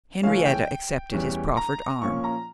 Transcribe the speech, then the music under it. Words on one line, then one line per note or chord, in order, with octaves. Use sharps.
Henrietta accepted his proffered arm.
C#3 E3 A3 C#4 F5
G5
E2 E3 G3 C#4
A#5
A#2 F3 A#3 C#4 C#6
A#5